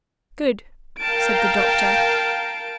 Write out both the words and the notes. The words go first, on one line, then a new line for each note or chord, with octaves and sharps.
"Good," said the doctor.
A#4 F5 G5 A5 D7